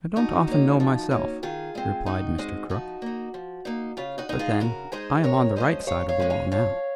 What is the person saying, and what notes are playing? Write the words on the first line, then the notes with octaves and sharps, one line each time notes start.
"I don't often know myself," replied Mr. Crook; "but then I am on the right side of the wall now."
F3 D#4 F#4
A#3 C#4
F3
A#3 C#4
D#3 F4 G#4
G#3 C4
D#3 D#4 F#4
G#3 C4
F3 D#4 F#4
A#3 D#4
F3
A#3 D#4
C#3 F4
D#4 F#4
G#3 D#4
F4 G#4
C#3 F#4 A#4
G#3 D#4 G#4 C5
C3 A#4 C#5
F3 G#3 C#4 C5 D#5
C3 C#5 F5
C#5 F5
F3 G#3 C#4
C#5 F5
F3 C#5 F5